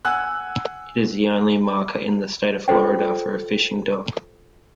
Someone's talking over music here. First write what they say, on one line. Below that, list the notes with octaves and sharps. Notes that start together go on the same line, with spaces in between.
It is the only marker in the State of Florida for a fishing dock.
F#5 G#5 E6 F#6
F4 G#4 A4 C5 G5